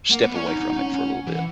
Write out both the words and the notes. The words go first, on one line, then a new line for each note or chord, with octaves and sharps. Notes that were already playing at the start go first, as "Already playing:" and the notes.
step away from it for a little bit.
A#3 F#5
B3
C#4
D#4
D#4
D#4
C#4
C#4
F#5
E3
F#5